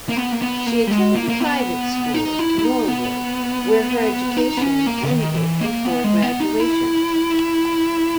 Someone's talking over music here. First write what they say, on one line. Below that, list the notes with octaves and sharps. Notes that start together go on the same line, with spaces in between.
She attended a private school, Norwood, where her education ended before graduation.
A#3
B3
A#3
B3
A#3
G3
G#3
A#3
A#3
B3
D#4
E4
E4
D#4
B3
D#4
B3
C#4
A#3
C#3
D#3
E3
A#3
B3
G#3
B3
D#4
E4